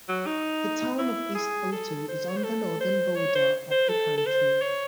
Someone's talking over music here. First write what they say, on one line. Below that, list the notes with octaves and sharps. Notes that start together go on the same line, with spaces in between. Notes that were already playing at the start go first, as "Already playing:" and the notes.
The town of East Otto is on the northern border of the county.
F#3
D#4
E4
G#4
A4
C5
C#5
C5
A4
C5
C#5
C5
C5
A4
A4
C5
C#5